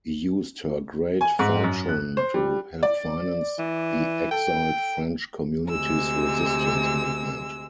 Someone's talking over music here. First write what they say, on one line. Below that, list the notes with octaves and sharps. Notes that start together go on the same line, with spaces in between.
He used her great fortune to help finance the exiled French community's resistance movement.
G#5
G#2
F#2
F#6
C5
G3
D5
E3
A4 G5
D2 C3 G#3 E6